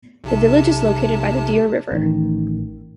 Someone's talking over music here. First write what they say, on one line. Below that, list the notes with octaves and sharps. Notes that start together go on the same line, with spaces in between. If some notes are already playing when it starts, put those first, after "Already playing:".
The village is located by the Deer River.
B1 C3 A5
A1 D#3